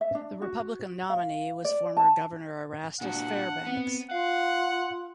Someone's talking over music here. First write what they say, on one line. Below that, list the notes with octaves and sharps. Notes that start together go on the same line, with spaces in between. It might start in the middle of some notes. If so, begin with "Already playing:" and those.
The Republican nominee was former Governor Erastus Fairbanks.
E5
D4
F#4
F5
D5
A5
A#2 D4 F#4 F#5
B3 C4
F4 F5 F#5